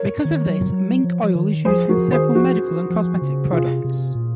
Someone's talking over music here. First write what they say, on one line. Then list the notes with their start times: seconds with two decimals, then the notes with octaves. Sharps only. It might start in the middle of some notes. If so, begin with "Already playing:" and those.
Because of this, mink oil is used in several medical and cosmetic products.
Already playing: A#4 C#5
0.25 D#3
0.49 F#3
0.72 F#3
1.04 F3
1.23 F3
1.35 D#3
1.65 F3 G#4 C5
1.89 F3 F#4 A#4
2.12 D#3 G#4 C5
2.35 F3 F#4
2.90 F3
3.22 C#3
3.52 C3 F4 G#4
3.84 C3
4.15 A#2